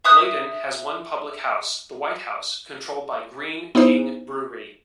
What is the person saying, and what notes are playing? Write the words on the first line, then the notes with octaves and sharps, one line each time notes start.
Bladon has one public house, the White House, controlled by Greene King Brewery.
E5 D#6 F#6
B3 D#4 E4 C5